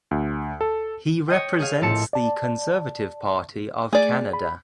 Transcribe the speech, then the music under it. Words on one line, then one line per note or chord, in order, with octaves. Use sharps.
He represents the Conservative Party of Canada.
D2
A4
C#5 D#5 G5
G#4 F5
A#1 A2 C4 A4 A5 C#7
D5 A5
A3 G#4 D5
B5